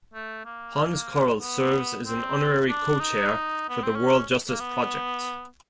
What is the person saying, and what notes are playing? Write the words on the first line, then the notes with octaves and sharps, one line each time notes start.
Hans Corell serves as an Honorary Co-Chair for the World Justice Project.
A3
A#3
B3
C4
D4
D#4
B3
C4
C#4
A#3
B3